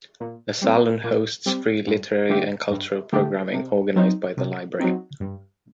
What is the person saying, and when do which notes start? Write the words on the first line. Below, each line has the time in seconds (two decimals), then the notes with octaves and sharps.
The Salon hosts free literary and cultural programming organized by the library.
0.20 A#2
0.61 G3 C4
1.04 A#2
1.46 G3 C4
1.87 G2
2.29 D3 A3 D4 G4
2.71 G2
3.13 D3 A3 D4 G4
3.53 C3
3.96 F#3 C4 D#4
4.37 C3
4.79 F#3 C4 D#4
5.20 G2